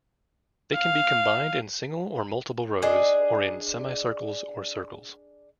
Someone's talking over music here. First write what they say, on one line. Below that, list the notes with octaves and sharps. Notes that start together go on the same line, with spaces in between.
They can be combined in single or multiple rows, or in semicircles or circles.
F5
D4 G#4 D#5